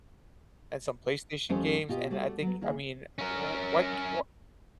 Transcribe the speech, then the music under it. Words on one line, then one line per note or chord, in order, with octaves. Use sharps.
and some PlayStation games, and I think I mean, w why c wha
F2 G3 A3 C#4 C5 D#5
B2 F4 G4 D#5
G3 A3 F#4 D5
F#3 B3
D#2 E4 G#4
C#4 A#4